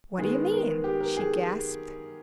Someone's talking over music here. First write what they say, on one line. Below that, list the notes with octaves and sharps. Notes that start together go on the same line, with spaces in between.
"What do you mean?" she gasped.
D#3 G#3 B3 G#4
A#4
G4
A#4
G#4